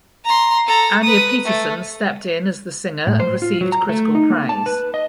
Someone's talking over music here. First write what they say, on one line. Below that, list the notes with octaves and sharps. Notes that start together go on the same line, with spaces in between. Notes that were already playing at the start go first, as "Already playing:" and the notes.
Anja Petersen stepped in as the singer and received critical praise.
A#5 C6
A4 A#5
B4 D#6
A3
A2
C5
F4
F#3
A#5
A3
D#4
A#3
A5
B4
D#5